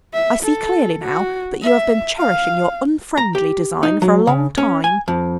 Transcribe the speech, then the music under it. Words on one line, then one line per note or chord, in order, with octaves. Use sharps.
I see clearly now that you have been cherishing your unfriendly design for a long time.
E5
A4
F#4
E5
F5
A#5
G4
D#4
F#3
C#3
C#4
G#5
F2